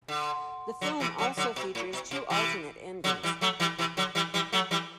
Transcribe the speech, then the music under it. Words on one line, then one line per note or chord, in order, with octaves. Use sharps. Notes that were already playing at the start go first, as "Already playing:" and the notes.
The film also features two alternate endings.
D3
D3 F#3
C3 E3
D3 F#3
D3 F#3
B2
A2
B2
C3
C3 E3
D3 F#3
E3 G3
F#3 A3
E3 G3
C3 E3
D3 F#3
E3 G3
E3 G3
F#3 A3
E3 G3